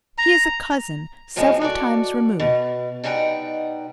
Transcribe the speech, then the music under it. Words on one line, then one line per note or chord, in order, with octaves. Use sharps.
He is a cousin, several times removed.
A#5
F#2 A2 F3 G#3 C4
F#4 A4 D5
B2
B2 G3 D#4 F#5 G5